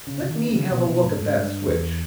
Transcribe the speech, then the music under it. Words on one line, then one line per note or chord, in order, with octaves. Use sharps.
"Let me have a look at that switch."
C#3
C#3
D#3
C#3
B2
B2
G#2
G#2
G2
E2